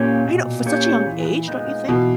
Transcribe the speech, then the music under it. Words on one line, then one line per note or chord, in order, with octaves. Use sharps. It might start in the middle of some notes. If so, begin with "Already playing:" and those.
I know for such a young age, don't you think?
Already playing: A#2 A#3 C#4 G4 C#5
B2
A#3 C#4 G4 C#5
E3
G#3 B3 D#4
B2 E3